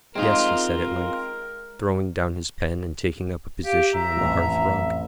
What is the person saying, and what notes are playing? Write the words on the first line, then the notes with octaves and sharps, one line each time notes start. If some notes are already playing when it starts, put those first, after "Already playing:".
"Yes," he said at length, throwing down his pen and taking up a position on the hearth-rug.
G#3 C4 D#4 F4 A#4
G4 F5
E5 A#5
A1 F2